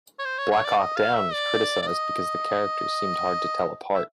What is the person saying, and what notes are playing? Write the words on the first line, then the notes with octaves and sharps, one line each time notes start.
"Black Hawk Down" was criticized because the characters seemed hard to tell apart.
C#5
C5
C#5
C#5
D5
D#5
F5
E5
D5
D5
D#5
E5